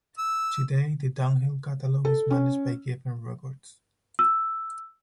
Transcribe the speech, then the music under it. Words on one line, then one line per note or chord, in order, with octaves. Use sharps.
Today, the Dunhill catalogue is managed by Geffen Records.
E6
A4
C#4
E6